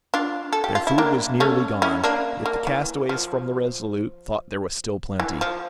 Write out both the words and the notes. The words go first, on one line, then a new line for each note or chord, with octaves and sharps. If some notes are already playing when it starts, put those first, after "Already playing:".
Their food was nearly gone, yet the castaways from the RESOLUTE thought there was still plenty.
D4 F4
A4
G4
F4
E4
A#3 D4
A3 C#4
C#4 E4
A#3 D4
A#3
E3
F3
E3
F3